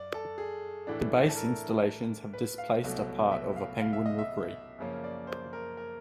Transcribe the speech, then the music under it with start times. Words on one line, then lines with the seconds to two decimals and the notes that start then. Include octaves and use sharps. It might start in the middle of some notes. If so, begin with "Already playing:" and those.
The base installations have displaced part of a penguin rookery.
Already playing: F#2 D5
0.14 A4
0.38 G#4
0.87 A2 E3 A3 D4
1.28 A4
1.36 A#4
2.33 B4
2.58 F5
2.83 C2 B2 F#3 A3
3.32 E5
3.56 F5
3.81 F5
3.93 E5
4.06 D#5
4.19 E5
4.78 F#2 C#3 F3 A#3 C#4
5.04 D5
5.27 C5
5.53 A#4
5.77 A#4